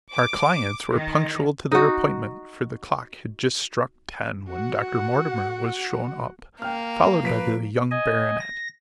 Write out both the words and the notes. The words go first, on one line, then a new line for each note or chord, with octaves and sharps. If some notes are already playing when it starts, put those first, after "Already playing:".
Our clients were punctual to their appointment, for the clock had just struck ten when Dr. Mortimer was shown up, followed by the young baronet.
D6
D#3
D#4 F#4
F#4 F#5
A#3 G5 F6
F3 B4 B6 D7
D#5 G#5
A#6